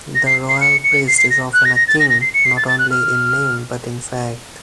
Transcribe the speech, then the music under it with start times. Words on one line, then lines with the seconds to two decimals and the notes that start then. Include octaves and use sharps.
The royal priest is often a king, not only in name but in fact.
0.15 A#6
0.26 C7
0.49 C7
0.61 C#7
0.84 C#7
1.08 C7
1.18 C7
1.31 A#6
1.54 F#6
1.65 A#6
1.76 A#6
1.88 A6
2.00 A#6
2.10 A#6
2.21 C7
2.34 C#7
2.45 C7
2.57 A6
2.68 A6
2.79 F#6
2.91 F6